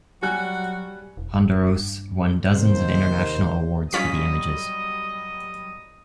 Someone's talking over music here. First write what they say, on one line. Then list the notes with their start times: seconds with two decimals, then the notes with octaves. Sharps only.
Hondros won dozens of international awards for the images.
0.22 F#3 G3 F#4 G#5 F#6
1.17 E1
1.76 G2
2.55 D#2 C3 C5
3.93 F#3 G3 C#4 F4 D#5 C#6 B6